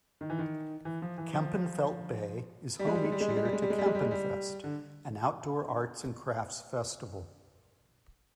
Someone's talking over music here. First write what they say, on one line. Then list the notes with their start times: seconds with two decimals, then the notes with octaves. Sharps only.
Kempenfelt Bay is home each year to Kempenfest, an outdoor arts and crafts festival.
0.21 D#3
0.30 E3
0.39 D#3
0.85 E3
1.02 F3
1.18 E3
1.33 F3
2.79 G3
2.87 G#3
2.95 G3
3.04 G#3
3.12 G3
3.21 G#3
3.29 G3
3.37 G#3
3.45 G3
3.53 G#3
3.62 G3
3.70 G#3
3.78 G3
3.86 G#3
3.95 G3
4.03 G#3
4.11 G3
4.64 D3